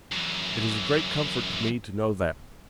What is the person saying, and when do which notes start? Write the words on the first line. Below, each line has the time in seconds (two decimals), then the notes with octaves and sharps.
It is a great comfort to me to know that.
0.12 F#2 E3